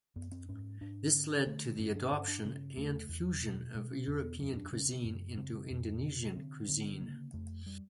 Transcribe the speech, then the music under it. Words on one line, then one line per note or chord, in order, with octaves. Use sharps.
This led to the adoption and fusion of European cuisine into Indonesian cuisine.
F#2 B3
C4
G#2 C#4
G#2 D4
D3 C#4
D3 A3
G2 C#4
D4
G2 C#4
D4
C#3 C#4
E2 A3
E2
B2
B2 G#3
C#4
E2 C#4
B3
F#2 C#4
D4
C#3 C#4
C4
F#2
C#3 C4
F2
C3
D3 C4
D3 B3
C#3 A#3
F2 A3
G3